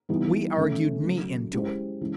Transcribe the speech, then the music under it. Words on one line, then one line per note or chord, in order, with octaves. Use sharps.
We argued me into it.
E3 G3 B3 D#4
E3 A3 C#4 E4
C#3 F#3 A3
G#3 C#4 E4 G4 C5
E3 G#3 C#4 E4